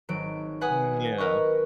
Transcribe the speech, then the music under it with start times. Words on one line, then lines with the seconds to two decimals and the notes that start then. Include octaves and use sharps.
Mm, yeah.
0.09 G#1 F#3 D7
0.61 B4 F#5 G#5 D#6
1.18 A#4 B4 D#5 F#5 C#6